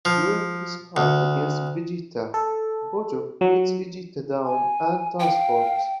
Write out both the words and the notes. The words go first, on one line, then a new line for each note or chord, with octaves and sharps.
During his fight against Vegeta, Bojack beats Vegeta down and transforms.
F3
D2
A4
F#3
G#5
F5 G5